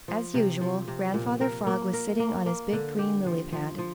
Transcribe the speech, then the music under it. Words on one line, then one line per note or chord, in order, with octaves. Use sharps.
As usual, Grandfather Frog was sitting on his big green lily-pad.
F3
C3
F3
C3
A#2
A#4
A#3
A#4
A#3
A#3
D3
G4
F3
F3
F3